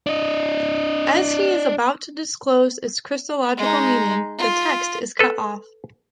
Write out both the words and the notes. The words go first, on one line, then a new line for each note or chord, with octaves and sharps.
As he is about to disclose its Christological meaning, the text is cut off.
D4 D#5
G#3 D#4
F4
A4 B4